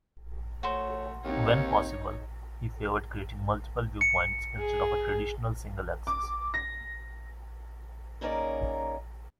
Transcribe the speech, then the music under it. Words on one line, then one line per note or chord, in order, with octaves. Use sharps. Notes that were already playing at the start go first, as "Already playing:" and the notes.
When possible, he favored creating multiple viewpoints, instead of a traditional single axis.
A3 F#4 C5 C#5
D#2 C4 D#4 C#5
C#7
G#4
D6
A#6
C#3 A#3 C#4 D#4 A#4 D5